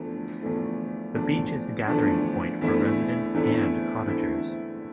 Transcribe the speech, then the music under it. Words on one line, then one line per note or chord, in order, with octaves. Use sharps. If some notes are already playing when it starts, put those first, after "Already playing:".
The beach is a gathering point for residents and cottagers.
Already playing: E2 D3 F3 A3 D4
E2 D3 F3 A3 D4
E2 D3 F3 A3 D4
E2 D3 F3 A3 D4
E2 D3 A3 C4 E4
E2 D3 A3 C4 E4
E2 D3 A3 C4 E4